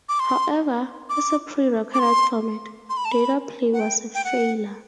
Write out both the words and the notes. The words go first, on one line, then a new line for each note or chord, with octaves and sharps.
However, as a pre-recorded format, DataPlay was a failure.
D6
C6
D6
D6
C6
C6
B5
A5
B5
F#5
G5
G5
F#5